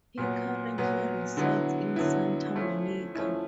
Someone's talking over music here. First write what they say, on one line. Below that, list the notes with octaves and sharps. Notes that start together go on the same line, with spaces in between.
He currently resides in Santa Monica.
A#2 F#3 B3
A#2 F#3 B3
D3 F#3 B3 E4
D3 F#3 B3 E4
F3 A3 C#4 E4
F3 A3 C#4 E4